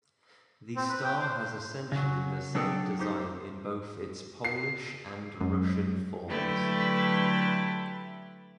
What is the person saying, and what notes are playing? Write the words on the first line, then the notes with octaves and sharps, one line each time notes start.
The star has essentially the same design in both its Polish and Russian forms.
C4
B4
G5
C5
C#3 F#3
F#3 D4 G#4 A4 G5
D#4 G4 C5
C7
F#2 F#3 G#3
D3 F#3 A3 E4 G4 B4